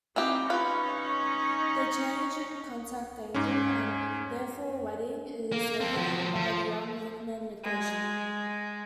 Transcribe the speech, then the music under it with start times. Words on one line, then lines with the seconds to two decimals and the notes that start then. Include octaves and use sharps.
The change in contact angle, and therefore wetting, is regulated by the Young-Lipmann equation.
0.16 E3 C4 D#4 G4
0.50 C#4 D#4 F4 B4 D#5
3.35 G#2 C#4
5.52 A#3
5.80 C4 A4
5.97 F3 F#3
6.35 F3
7.64 G#3